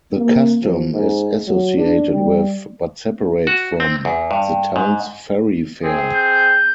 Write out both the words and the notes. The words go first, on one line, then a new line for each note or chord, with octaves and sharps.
The custom is associated with, but separate from, the town's Ferry Fair.
A#3
F3
G#2
F#3
D4
G3
F#4
C4
E2
G2
G#2
C4 G#4
G6